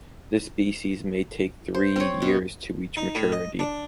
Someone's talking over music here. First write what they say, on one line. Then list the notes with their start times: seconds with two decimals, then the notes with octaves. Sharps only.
This species may take three years to reach maturity.
1.74 C5
1.96 C4 C#5
2.22 B2
2.97 D#4
3.15 A2
3.32 D#5
3.59 D4